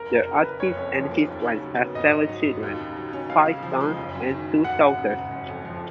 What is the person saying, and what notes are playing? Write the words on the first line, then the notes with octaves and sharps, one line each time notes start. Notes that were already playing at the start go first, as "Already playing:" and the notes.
The artist and his wife had seven children; five sons and two daughters.
Already playing: F#1 A#4
F#2
A#4
C#3
B4
F#1
F#1 C#5
F2
F3
A#3
D#2
C#3
F#3
B3
G#1 D#5
G#2
F#3
G#1
D#2
C#3
F#3
C#4
C#2 F5
C#3
F3
G#3
F#1
F#2
D#3
F#3
G#1 F#5
F#2
C#3
G#1
F#1
F2
F3